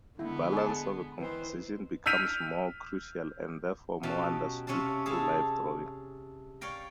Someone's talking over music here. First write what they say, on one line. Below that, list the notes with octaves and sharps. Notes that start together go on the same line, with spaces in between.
Balance of a composition becomes more crucial and therefore more understood through life drawing.
D3 G#3 B3 E4
G#4 A5
D#3 E3 B4 C5
E6 F6 G6 B6 D#7 F7
B2 F#3 C#4 G4 F5 A5
C3 C#4 C#5 F5 A5
G#4 A4 F5 A5
C#5 D5 F5 G5 A#5